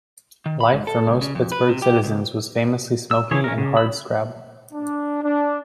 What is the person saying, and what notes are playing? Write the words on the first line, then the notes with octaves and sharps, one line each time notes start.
Life for most Pittsburgh citizens was famously smokey and hardscrabble.
D#3
B5
G#2
A4
C#2
C#3
F2
B4
C3
G4
C#2
E6
C#3 E3 F3 G#4 C#5
C#4 A#4
C#3
B5 E6
D4
D4